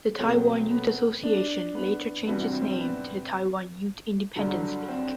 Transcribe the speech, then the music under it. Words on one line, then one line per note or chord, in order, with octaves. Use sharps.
The Taiwan Youth Association later changed its name to the Taiwan Youth Independence League.
B2 F#3 A3 C4
B3
D4
B3
C3 E3 G3 B3 D4 F#4
C4
C4
B3
G2 D3 F#3 G3
C4